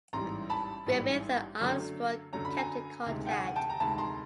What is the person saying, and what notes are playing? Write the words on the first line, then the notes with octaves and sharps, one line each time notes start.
Griffith and Armstrong kept in contact.
A1 G#2 E3 G3 A#5 C6
A5 B5
A1 G#2 E3 G3
F#2 D3 F#3 A3 C#4
F#2 D3 F#3 A3 C#4 A#5
B5
G#5 A#5
D2 C3 D#3 G#3
G5
F#5 G#5
G5 A5
A#5
D2 C3 D#3 G#3 A5 B5
A#5 C6